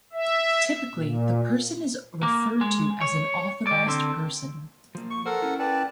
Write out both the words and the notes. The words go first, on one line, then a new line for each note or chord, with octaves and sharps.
Typically, the person is referred to as an authorised person.
E5
A#2
A#3
G#3
C#5
D#3 D5
D3 C4
F3 A#3
C#6
A4 A#4 C5 F#5
C#4 E4
B4 D5 G5 A5